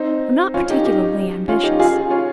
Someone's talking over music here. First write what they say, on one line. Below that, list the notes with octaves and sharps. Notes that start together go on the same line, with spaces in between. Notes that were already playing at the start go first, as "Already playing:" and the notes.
I'm not particularly ambitious.
Already playing: C4 D#4
C#4 F4
D#4 G4
D#4 G4
C#4 F4
D#4 G4
F4 G#4
C#4 F4